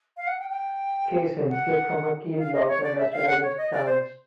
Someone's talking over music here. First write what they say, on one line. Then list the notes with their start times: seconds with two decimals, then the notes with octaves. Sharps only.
"Cassin" slipped from her keel blocks and rested against "Downes".
0.17 F5
0.27 F#5
0.39 G5
0.50 G5
1.49 F#5
2.39 F5
2.53 D#5
2.68 C#5
2.83 D5
2.98 E5
3.12 F5
3.27 F#5
3.42 C#5
3.57 D#5
3.72 D5
3.86 C5